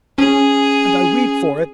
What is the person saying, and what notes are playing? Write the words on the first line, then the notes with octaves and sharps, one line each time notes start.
And I weep for it!
C#4 G#4